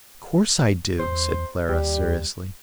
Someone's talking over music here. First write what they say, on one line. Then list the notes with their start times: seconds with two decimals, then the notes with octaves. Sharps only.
"Of course I do," said Clara seriously.
0.99 E2 C5
1.69 D#2 G3